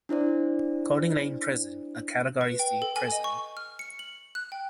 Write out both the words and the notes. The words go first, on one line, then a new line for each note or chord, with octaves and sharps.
Coldingley Prison - a Category C prison.
D4 E4 C5 D5
B4
G5
A4
G#5
D#5
C#6
F6
C#7
F#7
F#6
G5